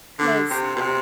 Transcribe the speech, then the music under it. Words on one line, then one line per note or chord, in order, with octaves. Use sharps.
'cause, eh,
D3
C3
B2
C3